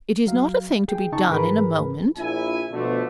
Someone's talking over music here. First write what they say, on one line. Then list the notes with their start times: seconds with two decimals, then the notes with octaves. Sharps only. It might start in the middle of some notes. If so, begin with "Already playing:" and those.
'It is not a thing to be done in a moment.'
0.27 F#3 F5
0.88 G#4 G5
1.12 C#3 D#4 A5 C#6
1.30 G#2 E3 G#4 A#4 B4 B5
2.17 A#1 E4 G#5
2.71 B2 D3 F3 A3